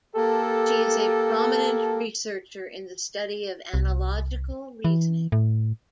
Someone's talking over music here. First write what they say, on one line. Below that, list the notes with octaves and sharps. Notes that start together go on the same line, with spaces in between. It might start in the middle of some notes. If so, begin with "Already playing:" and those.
She is a prominent researcher in the study of analogical reasoning.
A#3 G4 A4
C2
E3
A2